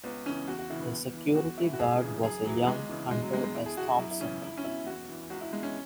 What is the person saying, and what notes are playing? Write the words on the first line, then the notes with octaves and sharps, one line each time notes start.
The security guard was a young Hunter S. Thompson.
C#2 B3
C#3 E3 C#4
E2 F#4
F#4
C#3 E3 E4
B3
E2
E3
E2 F#4
E3 E4
F#4
C#2 G#4
C#3 E3
F#2 G#4
E3 F#3
B3
C#2 G#3
C#3 E3
E2 G#3
F#3
B2 G#3
G#3
E2 E4
G#4
B2 F#4
F#4
F#2 E4
E4
C#3 E3 C#4
C#2 E4
C#4
B2 E4
E2 F#4
E3
C#2 F#4
E4
B2 G#3
C#4